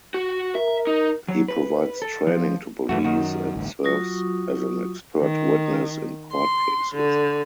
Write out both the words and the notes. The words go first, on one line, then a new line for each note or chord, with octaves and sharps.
He provides training to police and serves as an expert witness in court cases.
F#4
A#4 E5
D#4
F#3
B4
A4
F3
F#2 E3 A3 F#4
D#3 F#4
A1 D2 G2
F#3 F4 F#4 C#6 D#6
D#3
C6
D3